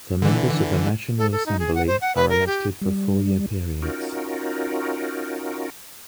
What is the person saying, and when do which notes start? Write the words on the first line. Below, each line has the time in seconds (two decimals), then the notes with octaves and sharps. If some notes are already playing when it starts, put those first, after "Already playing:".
The members of the National Assembly are elected for four-year periods.
0.22 D3 E3
1.18 A4
1.32 A4
1.46 D#4
1.59 G#4
1.75 F#5
1.87 C5
2.01 F#5
2.16 B4
2.29 A#4
2.47 G4
2.81 G3
3.82 C#4 D#4 F4 F#4 A#4